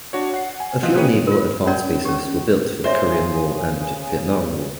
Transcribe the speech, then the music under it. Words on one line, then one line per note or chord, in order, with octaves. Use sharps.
A few Naval Advance Bases were built for the Korean War and Vietnam War.
D4 F#4 C#5
F#5 C7
G#5
F3 C4 D#5 F5 F#6
A#3 G#4 B4 C#5 G5 D#7
F4 A#4
C#4 A#4 C#5 D5
C#4 G4
C#3 G#4 C5 C#5 E5 G#5 C6